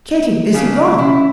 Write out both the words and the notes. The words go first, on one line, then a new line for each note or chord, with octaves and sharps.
"Katy, is he gone?"
C#3 D4
C#4 E4